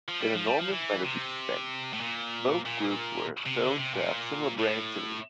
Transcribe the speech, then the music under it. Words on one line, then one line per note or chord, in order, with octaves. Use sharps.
In a normal meditative state, both groups were shown to have similar brain activity.
F3
G3
F3
G3
F3
E3
C3
A2
A#2
A#2
C3
D3
C3
A#2
A2